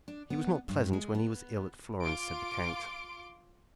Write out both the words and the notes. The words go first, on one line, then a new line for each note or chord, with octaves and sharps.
"He was not pleasant when he was ill at Florence," said the count.
D4
B3
G2
G#3
B3
F4 C6 D6 D7